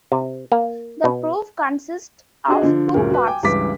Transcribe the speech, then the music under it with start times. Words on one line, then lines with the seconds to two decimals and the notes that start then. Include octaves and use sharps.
The proof consists of two parts.
0.12 C3
0.52 A#3
1.04 B2
2.48 D4 F#4 G#4 D#5
2.62 D3 F3
2.94 D#1 D2 A#2 C#3 A#4
3.10 F#4 B4
3.27 G5 G#5 D6
3.43 C#2 G2 C#3 E3 D6 B6